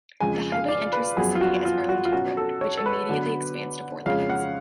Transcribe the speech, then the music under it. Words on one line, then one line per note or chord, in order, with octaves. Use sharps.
The highway enters the city as Arlington Road, which immediately expands to four lanes.
F2 C#3 G#3 G#5
F5
D5
B4
F#2 F3 B3 G#4
F4
F#4
F4
F#4
F4
B2 F#3 C#4 F#4
A4
C#5
A4
B4
D3 F#3 B3
F2 C#3 G#3 C#4 F5
F#5